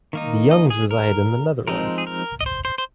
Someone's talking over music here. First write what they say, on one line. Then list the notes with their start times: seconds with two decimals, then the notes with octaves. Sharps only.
The Youngs resided in the Netherlands.
0.13 D#3 A#3 D#4
0.51 D#5
0.70 G#4
0.91 A#4
1.68 F3 G#3 C4 D#4 A#4
1.98 G#4
2.07 A#4
2.41 D#5
2.46 C5
2.65 C5
2.78 C5